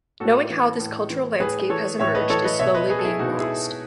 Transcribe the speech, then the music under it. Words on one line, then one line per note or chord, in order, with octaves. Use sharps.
Knowing how this cultural landscape has emerged is slowly being lost.
A2 F#4 A4
E3
A2
E3
A2 G#4 B4
E3 A4 C#5
A2 C#5 E5
B4 D#5
E3 A4 C#5
B4 D#5
B2 C#5 E5
B4 D#5
G#4 B4
A4
E4 G#4
B2 D#4 F#4
E4 G#4